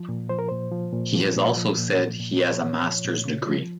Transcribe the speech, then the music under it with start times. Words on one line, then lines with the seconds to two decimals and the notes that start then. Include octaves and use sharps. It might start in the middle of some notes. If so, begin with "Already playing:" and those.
He has also said he has a master's degree.
Already playing: F3
0.09 A#2
0.29 F3 C5
0.39 A#4
0.49 A#2 C5
0.72 F3
0.93 A#2
1.14 F3
1.36 A#2
1.57 F3
1.78 A#2
1.99 F3
2.20 A#2
2.41 F3 C#5
2.63 A#2
2.83 F3
3.05 A#2
3.25 C#3
3.46 F3